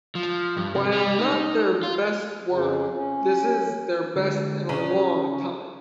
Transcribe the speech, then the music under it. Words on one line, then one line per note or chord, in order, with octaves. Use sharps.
While not their best work, this is their best in a long time.
F3
G2
C3
G3
D#4
F4
F2 C#3
C#4
D3 G#3
C#3 C#4 D4 A#5